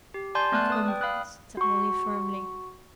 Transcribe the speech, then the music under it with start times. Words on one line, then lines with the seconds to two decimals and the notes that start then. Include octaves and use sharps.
"Encumbrance," said Wally firmly.
0.14 G4
0.35 D5 G#5 A5 C6 G6
0.52 A3 B3 D5 A5 F#6
0.69 B4 D#6
0.86 D5 G5
1.01 F5 B5 D#6 F#6
1.57 F#4 C#6